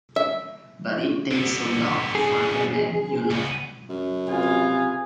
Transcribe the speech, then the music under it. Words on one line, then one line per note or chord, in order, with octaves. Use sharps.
But it takes a dog to find a man, you know.
E5
D3 B3
G#4
C#2 B3
F#2
C3 F4 G#4 B4 G#5